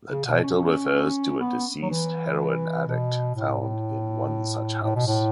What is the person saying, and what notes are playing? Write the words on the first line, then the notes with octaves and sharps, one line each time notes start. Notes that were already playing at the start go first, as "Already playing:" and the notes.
The title refers to a deceased heroin addict found in one such house.
C#3
B2
C#4
B3
F#3
E3
B2
A2
A2
A2
B2
A2